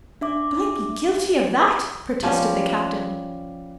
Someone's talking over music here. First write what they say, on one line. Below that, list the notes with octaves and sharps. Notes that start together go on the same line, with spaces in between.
"Could I be guilty of that?" protested the Captain.
D4 E5 D6
F3 G3 C#4